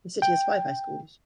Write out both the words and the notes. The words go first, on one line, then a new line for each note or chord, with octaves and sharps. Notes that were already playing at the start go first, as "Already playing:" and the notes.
The city has five high schools.
G5